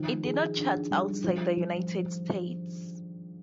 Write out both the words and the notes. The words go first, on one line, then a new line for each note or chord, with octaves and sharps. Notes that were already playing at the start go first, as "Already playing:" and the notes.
It did not chart outside the United States.
Already playing: D#3 F3
G#4
D4
G3
F3
F3